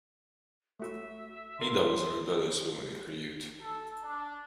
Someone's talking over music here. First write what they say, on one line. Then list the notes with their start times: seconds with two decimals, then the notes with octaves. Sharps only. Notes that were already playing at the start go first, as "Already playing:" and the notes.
Edda was a rebellious woman in her youth.
0.80 A3 F#4 E5
1.59 D3 A#4 C6
3.61 A4
4.02 D4